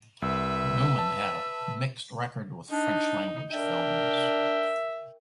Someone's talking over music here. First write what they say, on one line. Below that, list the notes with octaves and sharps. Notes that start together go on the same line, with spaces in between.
Newman had a mixed record with French-language films.
C2 B4 E5 E6
A5
D4 D#4
D4 A#4 E5 G5